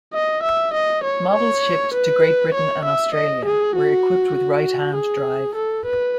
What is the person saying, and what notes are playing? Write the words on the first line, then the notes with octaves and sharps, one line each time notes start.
Models shipped to Great Britain and Australia were equipped with right-hand-drive.
D#5
E5
D#5
C#5
C#5
B4
C#5
E5
D#5
G#4
F#4
F#4
G#4
A4
B4